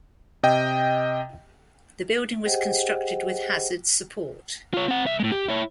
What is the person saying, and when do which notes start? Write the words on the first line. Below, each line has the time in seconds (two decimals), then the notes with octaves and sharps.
The building was constructed with Hazard support.
0.43 C3 D#5 G5
2.46 G4 G#4 C5 D#5 F#5 G5
4.74 F4 C#5
4.88 C4 F#5
5.05 C2 E5
5.20 A2 G#3
5.32 G4
5.49 E4 C#5